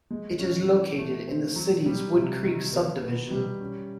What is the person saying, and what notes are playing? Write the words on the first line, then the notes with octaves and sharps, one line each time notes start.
It is located in the city's WoodCreek subdivision.
G#3
C#4
E3
A3
C4
F#3
G3
C3
D#3
B3
B2
G3
C#4